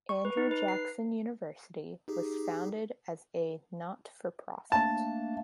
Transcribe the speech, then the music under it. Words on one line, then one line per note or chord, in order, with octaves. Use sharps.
Andrew Jackson University was founded as a not for profit.
C#6
B4
D#4
B4
C7
D#4 G4 G#4
A3 A#3 D4 A5